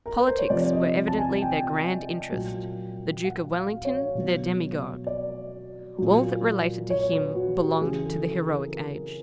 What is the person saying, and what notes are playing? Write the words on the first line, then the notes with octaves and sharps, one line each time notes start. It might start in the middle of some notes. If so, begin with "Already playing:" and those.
Politics were evidently their grand interest; the Duke of Wellington their demi-god. All that related to him belonged to the heroic age.
A#4
B4
C5
C#5
C3 F3 D5
D#5
A5
G#5
G5
A#2 F#3
F#5
F5
C#5
B2 F#3
D5
A#2 F#3
C#5
B4
F#4
G4
C#3 E3 G#4
A4
A4
A#4
A#4